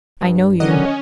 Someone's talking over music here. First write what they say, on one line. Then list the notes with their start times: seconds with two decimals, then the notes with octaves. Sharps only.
I know you.
0.21 G2
0.60 D3 D#3 F#3 C#4 D#5